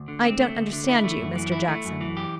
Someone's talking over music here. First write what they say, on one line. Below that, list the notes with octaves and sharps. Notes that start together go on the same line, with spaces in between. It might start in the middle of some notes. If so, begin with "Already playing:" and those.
'I don't understand you, Mr Jackson.'
Already playing: D2
D3
C4
A3
D2
D3
E4
A3
F#2
E3
E4
A3
F#2
E3
G4